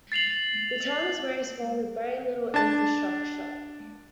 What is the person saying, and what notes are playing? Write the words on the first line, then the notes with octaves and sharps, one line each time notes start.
The town is very small with very little infrastructure.
A6 C7 F7 F#7
D4 A5